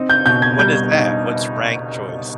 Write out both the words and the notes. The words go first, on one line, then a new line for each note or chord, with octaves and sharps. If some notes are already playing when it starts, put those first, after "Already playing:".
What is that? What's "rank choice"?
Already playing: C4 D#4
G6
B2 G6
G#6
G3 G6
D#4